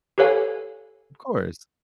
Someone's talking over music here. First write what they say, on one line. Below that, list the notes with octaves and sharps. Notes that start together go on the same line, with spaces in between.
Of course.
G4 A4 B4 C#5 F5 G#5